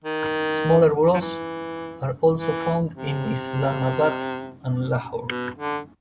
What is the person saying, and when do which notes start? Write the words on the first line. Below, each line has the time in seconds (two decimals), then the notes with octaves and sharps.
Smaller bureaus are also found in Islamabad and Lahore.
0.04 D#3
1.14 F3
1.21 E3
2.37 E3
2.95 C3
5.28 B2
5.58 D3